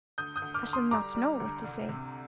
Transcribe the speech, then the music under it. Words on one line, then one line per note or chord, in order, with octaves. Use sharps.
'I shall not know what to say.'
D2 D#6 G6
D#6 G6
D2
D6 F6
D2
C6 D#6
G3 A#5 D6
G3
D2
C2
C3